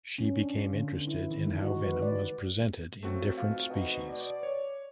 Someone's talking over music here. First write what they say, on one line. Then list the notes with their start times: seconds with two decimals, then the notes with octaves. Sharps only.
She became interested in how venom was presented in different species.
0.18 C#4
0.35 D4
0.57 F4
0.72 D3
0.93 B3
1.07 E4
1.31 D#3
1.46 G#3
1.62 F#4
1.87 B4
2.02 D5
3.03 F#3 A3 A#3 C4 F#4
3.37 G#2 B2 F4
3.69 F2 B2 E3 D#4
4.08 D5
4.43 C#5